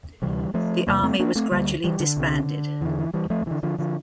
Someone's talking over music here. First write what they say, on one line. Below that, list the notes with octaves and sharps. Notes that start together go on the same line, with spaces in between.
The army was gradually disbanded.
D2 C3 E3 G3
F3 A3
E2 C3 G3 A#3
A3 C4
A#3 D4
A3 C4
D2 D3 G3 A#3
E3 G3
D3
C2 C3
E2 D3 E3
E3
E3 G3
F3 A3
D2 D3 E3
D3 F3
D3 F3